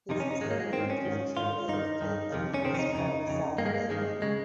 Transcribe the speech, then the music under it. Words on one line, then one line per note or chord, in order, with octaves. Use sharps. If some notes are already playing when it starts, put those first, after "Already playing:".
His Etonian connection may indicate that he was from the south of England.
F2 C3 D#3 D#4
C#4
D#4
G#2 D#3 G#3
A#3
G#3
G#2 D#3 C4
C#4
G#2 D#3
G#2 D#3 F4
G2 D#3 D#4
G2 D#3
F2 C3 D#3
C#4
F2 C3 D#3 C4
C#4
D#4
F2 C#3 D#4
F2 C#3
G2 D#3 A#3
G#3
A#3
G2 D#3 G#3
C#3 G#3